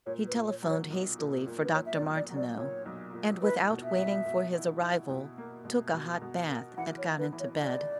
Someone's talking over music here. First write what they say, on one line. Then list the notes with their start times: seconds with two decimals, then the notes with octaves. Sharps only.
He telephoned hastily for Dr. Martineau and without waiting for his arrival took a hot bath and got into bed.
0.06 A#2 C#5
0.27 B4
0.34 A#2
0.48 C#5
0.62 F#3
0.70 C#5
0.90 B1
1.19 A#2
1.46 A#2
1.64 B4
1.74 A#2 C#5
1.86 E5
1.95 D5
2.01 B1
2.16 D5
2.30 F#3
2.37 D5
2.57 A#2 C#5
2.85 B1
3.13 A#2
3.42 E4 B4
3.70 B2
3.84 E5
3.98 B2
4.25 B2
4.54 E4
4.82 E4
5.09 B2
5.38 A#3
5.65 B2
5.93 B2
6.21 B2
6.49 A#4
6.77 E3 F#5
6.98 C#5
7.05 E3
7.19 B4
7.33 E3
7.40 C#5
7.61 C#2 D5